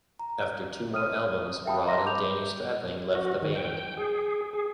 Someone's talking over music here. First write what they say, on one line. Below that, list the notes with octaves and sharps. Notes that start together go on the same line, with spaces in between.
After two more albums Rod and Danny Stradling left the band.
A#5
D#6 F6 D#7
E5 F5 G5 A5 B5 D#6
D#5 E5 A#5 C6 A#6
B5 D6 G6 F7
F#4
D#3
G5
G#4
G#4